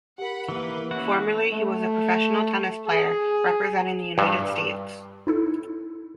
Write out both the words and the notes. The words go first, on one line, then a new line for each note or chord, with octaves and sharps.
Formerly he was a professional tennis player representing the United States.
G4 A#4 F#5 B5
E3 A#3 B4
A#3 C#4 E4 F#4 F#5
A3
G#4
G2
D#4 E4 A4